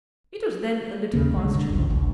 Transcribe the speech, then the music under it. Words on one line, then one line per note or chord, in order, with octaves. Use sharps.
It was then a little past noon.
D#2 C#3 A#3
B1 D3 G#3
C2 G2 D3
G#1 C#2
A1 D2